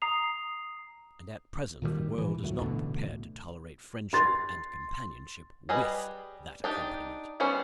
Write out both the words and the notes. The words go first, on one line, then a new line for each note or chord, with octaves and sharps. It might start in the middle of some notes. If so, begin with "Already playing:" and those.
And at present the world is not prepared to tolerate friendship and companionship WITH that accompaniment.
A#5 D#6 C7 F7
A#2 D#3 E3 G3
A#2 E3
D2 A#2 F#3 A3
A1 B2 D3 A3
C6 A6
G3 G#4 B4 D#5
D4 D#4 G4
G3 B3 C#4 C5